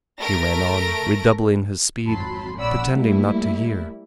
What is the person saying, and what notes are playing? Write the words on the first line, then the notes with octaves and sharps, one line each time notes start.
He ran on, redoubling his speed, pretending not to hear.
A3 A#4 A#6 D7
G#1 F2 F#3 A5 B5 C6
A#1 C#4 D5 F#5 B5 E6
G3 A3 A#3 E4